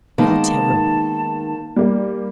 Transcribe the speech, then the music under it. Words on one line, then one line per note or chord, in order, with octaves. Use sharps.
How terrible!
D#3 G#3 A#3 B3 D#4 A5
G3 A#3